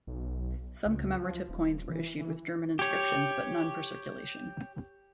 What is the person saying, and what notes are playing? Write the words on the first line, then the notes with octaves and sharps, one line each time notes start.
Some commemorative coins were issued with German inscriptions but none for circulation.
B1
C#2
F3
D#1
E3
E3
G4 C#5